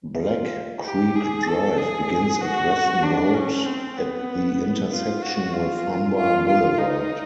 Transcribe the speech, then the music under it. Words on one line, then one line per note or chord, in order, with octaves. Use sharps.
Black Creek Drive begins at Weston Road at the intersection with Humber Boulevard.
F4
G4
G#4
A4
G#4
F#4
D4
C#4
C4
B3
F4
F#4
F4
F4
F4
D#4